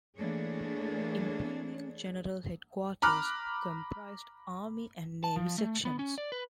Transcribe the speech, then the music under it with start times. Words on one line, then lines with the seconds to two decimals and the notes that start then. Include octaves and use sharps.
Imperial General Headquarters comprised Army and Navy Sections.
0.17 E3 A3 A#3 D4 G#4 C#5
3.02 A#5 B5 D6 F6 F#6
5.24 A5
5.36 F3
5.58 A3
5.85 B3
5.99 C#4
6.18 D5
6.32 B4